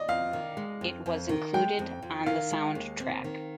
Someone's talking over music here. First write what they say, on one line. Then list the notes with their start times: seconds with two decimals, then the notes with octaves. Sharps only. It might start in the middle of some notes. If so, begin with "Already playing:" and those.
It was included on the soundtrack.
Already playing: D5 D#5
0.08 F2 F5
0.33 D#3
0.57 G#3
0.81 F2
1.06 F2
1.29 D#3
1.54 G#3 G5
1.79 F2
2.02 F2
2.26 D#3 F5
2.51 G#3
2.75 D#2
3.00 C4
3.24 D#3